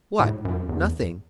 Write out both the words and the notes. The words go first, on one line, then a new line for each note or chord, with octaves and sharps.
"What! nothing!"
A2
F#2
E2